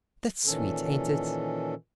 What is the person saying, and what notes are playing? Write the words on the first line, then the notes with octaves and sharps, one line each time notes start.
"That's sweet, ain't it?"
A#2 D#3 E3 C#4 A4